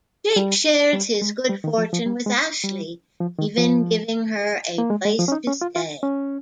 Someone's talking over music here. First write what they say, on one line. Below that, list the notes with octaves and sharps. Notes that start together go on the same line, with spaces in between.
Jake shares his good fortune with Ashley, even giving her a place to stay.
G3
G3
G#3
G3
D#3
F3
F3
G3
G#3
G3
F3
D#3
F3
A#3
G#3
G#3
F3
C#4
D#4
C#4
F4
F4
C#4